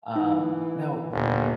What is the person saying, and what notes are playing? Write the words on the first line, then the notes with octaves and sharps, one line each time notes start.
um, now,
E3 D#4
G1 D#2 A#2